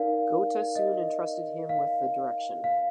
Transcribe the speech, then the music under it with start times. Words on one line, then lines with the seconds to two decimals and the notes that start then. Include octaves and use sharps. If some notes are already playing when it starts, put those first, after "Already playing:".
Goethe soon entrusted him with the direction.
Already playing: D#4 A#4 D5 F5
0.76 D#5
1.69 F5
2.64 F5